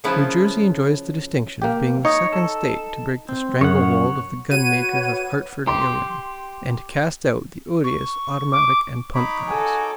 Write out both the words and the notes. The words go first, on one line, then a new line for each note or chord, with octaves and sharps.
New Jersey enjoys the distinction of being the second state to break the strangle-hold of the gun-makers of Hartford and Ilion, and cast out the odious automatic and pump guns.
C#3 F3 A#3 B3 C#4 E4
A#3 G4
D#4 C#5 D#5
A4
C4
F#2 C#5 F#5
F#4 B4 C#5 F#5 D#7
G4 C6
C#6
D6
D#4 C#5 B5 D6
F#4 A4 G#5